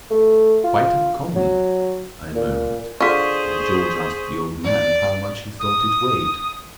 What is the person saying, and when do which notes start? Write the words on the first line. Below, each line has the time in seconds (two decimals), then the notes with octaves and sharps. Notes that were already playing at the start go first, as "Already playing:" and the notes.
"Quite uncommon," I murmured; and George asked the old man how much he thought it weighed.
0.11 A3
0.64 F4
1.36 F#3
2.35 A#2
3.00 D3 F4 G#4 C5 C#6 B6
4.64 D5
5.60 D#6